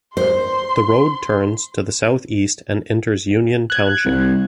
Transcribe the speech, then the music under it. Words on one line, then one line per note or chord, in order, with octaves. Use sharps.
The road turns to the southeast and enters Union Township.
C5 C6
F#6 G#6
C2